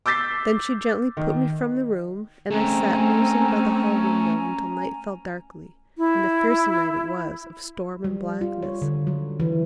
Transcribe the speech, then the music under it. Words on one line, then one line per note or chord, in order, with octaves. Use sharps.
Then she gently put me from the room, and I sat musing by the hall window until night fell darkly--and a fearsome night it was, of storm and blackness.
D6 E6 G6 A6 B6 C7
D#3
A3 C4 C#4 G#4 G#5 A#5
E4
G3
F4
C#5
D3
F#3
E3